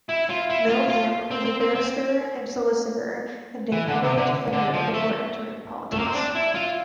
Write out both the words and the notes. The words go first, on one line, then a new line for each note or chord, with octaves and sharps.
Melham was a barrister and solicitor and a public defender before entering politics.
E4
F4
E4
F4
F4
C4
C4
C4
C4
E3
D3
C3
D3
D3
F3
A3
A3
A#3
C4
D4
E4
F4